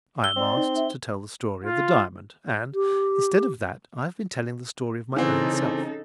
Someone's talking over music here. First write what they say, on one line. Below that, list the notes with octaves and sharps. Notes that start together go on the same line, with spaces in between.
I am asked to tell the story of the Diamond and, instead of that, I have been telling the story of my own self.
E6 G7
C4 D5
D#4
E5
F4
G4
C#3 E3 C4 D#4 A4